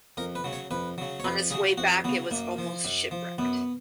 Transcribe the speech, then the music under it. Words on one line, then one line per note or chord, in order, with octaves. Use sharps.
On his way back it was almost shipwrecked.
F2 A#4
B4
C#3 F#3
C#5
F2 B4
C#3 F#3
C#5
F2 B4
C#3 F#3 G#4
F2 F#4
C#3 F#3 B3
F#2 A#3
F3
F#2
F3
F#2 B3